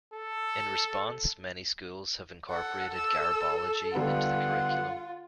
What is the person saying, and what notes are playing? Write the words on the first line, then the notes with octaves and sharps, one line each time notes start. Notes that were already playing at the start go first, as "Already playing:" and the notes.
In response, many schools have incorporated garbology into the curriculum.
A4
A4 F#5
E6
D3 G3 B3 F4 F#5